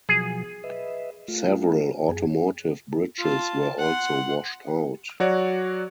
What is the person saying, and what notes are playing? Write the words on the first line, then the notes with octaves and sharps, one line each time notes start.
Several automotive bridges were also washed out.
B2 F3 F#3 G#4
B4 D#5 E5
A3 F4
F#2 G#4
F4 A5
F#5 C6
F#3 F#4 C#5 D5